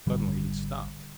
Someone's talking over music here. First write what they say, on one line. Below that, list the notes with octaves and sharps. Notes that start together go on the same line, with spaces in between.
Suddenly he stopped.
G#1 D3 G3